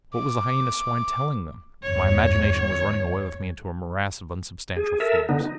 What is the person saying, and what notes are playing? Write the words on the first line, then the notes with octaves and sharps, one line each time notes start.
What was the Hyena-swine telling them? My imagination was running away with me into a morass of unsubstantial fears.
D6
G1 E2 C#5
G#4
A4 A#4 E5
D3 B3 D#4
D#4